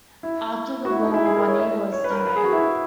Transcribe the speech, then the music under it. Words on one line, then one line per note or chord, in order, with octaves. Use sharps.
After the war money was tight.
E4
F#4
E4
D#4
E4
G#4
A#4
C#5
E5
C#5
B4
A#4
B4
B4
G#4
F#4
E4